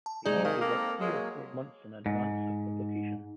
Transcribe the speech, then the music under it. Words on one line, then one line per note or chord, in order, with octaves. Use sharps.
They usually work three or four months in advance of publication.
A5
G#2 C3 G#3 D#4 G#4 D5 G#5
D#3 F5
A#3 C4 A4 A#4
F#3 G#3 A#3 C#5
G#2